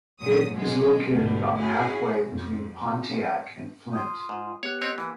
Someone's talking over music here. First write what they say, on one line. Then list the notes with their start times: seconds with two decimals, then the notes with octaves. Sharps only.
It is located about halfway between Pontiac and Flint.
0.21 A#2 F3 F#3 D#6
0.51 B2 F3 F#3 G#3
1.10 G#1 D2 B2 D3 G3
1.57 C#4 E4 F#4 G#4
2.31 F2
3.93 F4 C6 D#6
4.29 G#2
4.63 B3 G4 C#5 F#6
4.81 C4 C#5 D#5 B6
4.98 E3 A#3